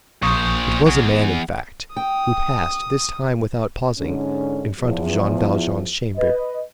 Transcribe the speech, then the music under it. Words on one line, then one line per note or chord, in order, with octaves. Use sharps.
It was a man, in fact, who passed, this time without pausing, in front of Jean Valjean's chamber.
A#1 A#2 C5 C#6 D#6
E2
G5 D#6
G#2 D3 C#4
E2 F3
B4 D#5